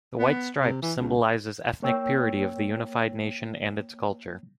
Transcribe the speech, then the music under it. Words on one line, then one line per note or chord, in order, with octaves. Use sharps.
The white stripes symbolizes ethnic purity of the unified nation and its culture.
B3
C3
E3
C#2
A#3 C#5 G5 E6